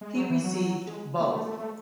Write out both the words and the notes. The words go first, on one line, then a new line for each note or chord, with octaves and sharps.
He received both.
G#3
F#3
E3
F#3
G#3
A3
A3
A3
A3